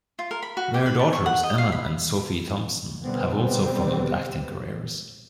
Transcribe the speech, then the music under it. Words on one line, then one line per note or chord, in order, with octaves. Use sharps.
Their daughters Emma and Sophie Thompson have also followed acting careers.
F4
A#4
B5
F#4
G4
B4
A5
C#6
F#5
D#5
F5
B5
B2 D3 G3 B3 C4